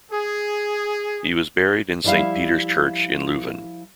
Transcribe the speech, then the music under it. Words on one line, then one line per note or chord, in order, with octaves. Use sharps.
He was buried in Saint Peter's Church in Leuven.
G#4
F3 G3 E4 E5 F5